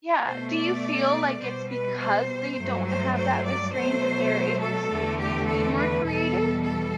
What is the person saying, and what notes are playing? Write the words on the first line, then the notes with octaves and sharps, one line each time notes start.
Yeah, do you feel like it's because they don't have that restraint that they're able to be more creative?
B2 A3 C5
D5
B2 G3 C5
B4
C5
G2 F#3 A3
C5
C5
D5
B2 F#3 A3 C5
A4
E2 D3 A3
G4
A4
B4
E2 B2 G3 A4
A4